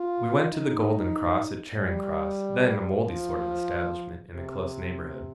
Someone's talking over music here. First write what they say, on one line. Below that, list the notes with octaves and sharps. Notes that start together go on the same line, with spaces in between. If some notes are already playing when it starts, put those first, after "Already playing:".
We went to the Golden Cross at Charing Cross, then a mouldy sort of establishment in a close neighbourhood.
Already playing: F4
D#4
G3
F3
C3